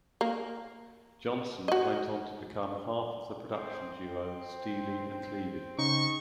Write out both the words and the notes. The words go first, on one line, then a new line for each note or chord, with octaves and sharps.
Johnson went on to become half of the production duo Steely and Clevie.
A#3
F#4 D#5
C4
C#3 D#4 C#6